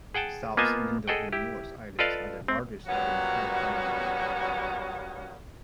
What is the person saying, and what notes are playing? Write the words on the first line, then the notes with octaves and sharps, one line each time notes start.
South, Middle and North islands are the largest of the entire island group.
G#4 F#5 G5 A5
A#3 B3 F4 D#5 G#5 A5
G#4 A4 D#5 F#5 G5
E4 G4
F4 A4 B4 D5 D#5 F5
C4
A#2 F#3 G3 B3 C#4 F#4